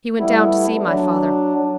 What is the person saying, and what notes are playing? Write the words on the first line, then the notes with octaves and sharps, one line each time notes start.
He went down to see my father.
G3 A3 B3 E4
F#3 D4